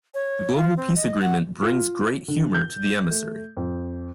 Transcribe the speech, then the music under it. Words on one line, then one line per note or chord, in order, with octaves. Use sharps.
The global peace agreement brings great humour to the emissary.
C#5
F4
C4
D#5
F#5
F4
D3
G6
A3
F2